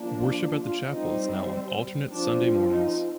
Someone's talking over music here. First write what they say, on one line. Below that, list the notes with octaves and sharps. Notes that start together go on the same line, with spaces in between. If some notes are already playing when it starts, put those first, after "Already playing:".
Worship at the chapel is now on alternate Sunday mornings.
Already playing: F3 A#3 D4
F4
G3 C4 D#4
F3 C4 D4
D#4